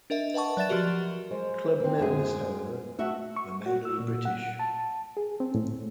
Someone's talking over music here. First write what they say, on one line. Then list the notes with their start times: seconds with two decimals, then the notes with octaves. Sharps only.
Club members however, were mainly British.
0.10 D4 A#4 D#5 E5
0.34 B4 D#5 F#5 A5 C#6
0.57 F#3 D5 E5 A6 E7
0.69 F3 F#3 F#4 G4 A#4
1.31 G#3 C5
1.80 A#3 C4
1.99 F#2 G#3 G#4
2.99 A3 F#4 E5
3.37 C#6
3.66 F#4
3.85 E6
4.00 A#2
4.25 F#5
4.59 A5
5.17 G#4
5.40 C4
5.55 A2